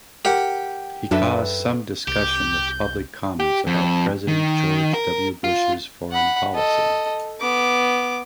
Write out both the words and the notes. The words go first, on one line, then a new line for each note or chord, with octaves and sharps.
He caused some discussion with public comments about President George W. Bush's foreign policy.
G4 A#4 F#5
F#2 F#3 D4 A4 B4 E5
C2 G4 G6
G4
F2
D#3
A#4
F4
F#5 B5
A4 D#5
B3 D6